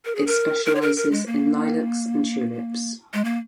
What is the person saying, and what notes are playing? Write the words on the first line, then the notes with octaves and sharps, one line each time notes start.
It specializes in lilacs and tulips.
A#4
G#4
A#4
A#4
C#5
A#4
A#4
G#3
A#3
G#3
A#3